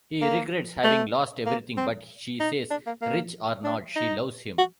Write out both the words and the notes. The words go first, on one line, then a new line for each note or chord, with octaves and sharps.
He regrets having lost everything, but she says, rich or not, she loves him.
A#3
A3
A#3
C4
D#4
D4
A#3
A#3
D4
D#4
F#4